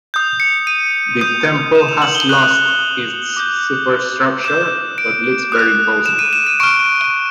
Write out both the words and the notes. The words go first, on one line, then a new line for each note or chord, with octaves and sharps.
The temple has lost its superstructure but looks very imposing.
D#6 G6
C#7
D#7
D#6 G6
E7
F7
F#7
G7
D#6 F#6 F#7
D6 G6
D6 G6 E7
D7
D#6 F#6
E7
D#7
E7
D#7
C#6 F6 D7